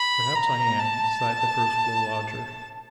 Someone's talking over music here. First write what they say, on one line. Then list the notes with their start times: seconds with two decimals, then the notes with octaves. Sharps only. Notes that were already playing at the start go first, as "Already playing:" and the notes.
Perhaps I am,' sighed the first-floor lodger.
Already playing: B5
0.35 A#5
0.80 A5